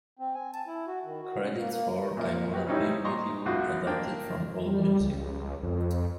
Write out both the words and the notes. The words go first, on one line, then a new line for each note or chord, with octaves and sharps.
Credits for "I Wanna Be with You" adapted from AllMusic.
C4
G#5
A5
E4
F#4
D#3
F#4
C#4
A#3
A#3
A#2 A#3
B3 F#4 G4
G3 C4 C#4 D#4 E4 G4
A#2 D#5 A#5 C6 C#6
B1 F#2 F4 F#4
A#3 D4 G5
G3
C#2
F2